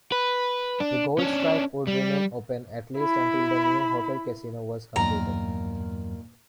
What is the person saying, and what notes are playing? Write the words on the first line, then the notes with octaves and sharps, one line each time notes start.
The Gold Strike would remain open, at least until the new hotel-casino was completed.
B4
D4
C#4 D4
G3
E4 B5
E2 G2 A#2 D#3 F#3 F4 A#5